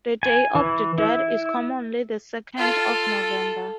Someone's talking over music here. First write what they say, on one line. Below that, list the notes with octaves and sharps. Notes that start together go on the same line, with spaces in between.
The day of the dead is commonly the second of November.
G#5
E3
E4
F4 A4